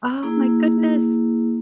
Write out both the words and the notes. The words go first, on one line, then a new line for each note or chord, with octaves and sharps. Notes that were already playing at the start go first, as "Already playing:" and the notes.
Oh my goodness!
A#3 E4 G#4